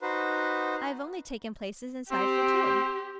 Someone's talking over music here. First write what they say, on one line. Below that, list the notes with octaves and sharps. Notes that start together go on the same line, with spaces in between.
I have only taken places inside for two.'
D#4 F#4 B4 C5
C4 G4